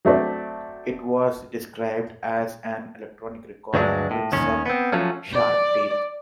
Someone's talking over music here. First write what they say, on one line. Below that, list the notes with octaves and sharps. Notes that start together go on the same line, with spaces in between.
It was described as an "electronic record with some sharp teeth".
F#3 A3 C4 D4
D2 G2 F#3 G#3 D4
A2
D#2 D#3 C#4
B3 C4
F3 F#3 A3 C#4
D5